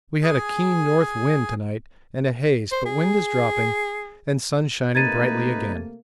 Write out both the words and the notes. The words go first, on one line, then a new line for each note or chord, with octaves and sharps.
We had a keen north wind to-night and a haze, but wind is dropping and sun shining brightly again.
G#4 G#5
C5
G#4
C3 A3 A#3 D#4 B4 G#6 A6 D#7